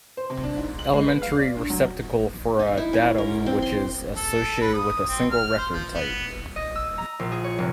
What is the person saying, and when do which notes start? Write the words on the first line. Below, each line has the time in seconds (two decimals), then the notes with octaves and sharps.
Elementary receptacle for a datum which is associated with a single Record Type.
0.17 C5
0.30 C3
0.43 D4
0.57 G#2
0.79 F#7
0.93 G#3
1.06 B4
1.22 F5
1.37 D5
1.57 G2
1.70 F#3
2.59 D#4
2.77 E4
2.93 C#4
3.18 A#4
3.46 C4
3.62 C6
4.16 A4
4.62 B4
4.74 D#6
5.09 C4
5.31 F6
5.58 C5
5.71 F3
5.94 B3
6.56 D#5
6.75 E6
6.98 A#5
7.19 A#1
7.32 G#4
7.44 C#5
7.58 F1